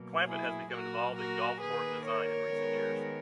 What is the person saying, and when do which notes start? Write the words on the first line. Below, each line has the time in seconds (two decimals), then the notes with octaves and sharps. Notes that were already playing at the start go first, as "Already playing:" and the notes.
Clampett has become involved in golf course design in recent years.
Already playing: B2 F#3 A#3
0.26 E4 G#4
0.70 A#2 F#3 A#3 F#4 A#4
1.15 F#4 A#4
1.60 D#3 A#3 G#4 B4
2.05 A#4 C#5
2.50 D#3 G#3 B3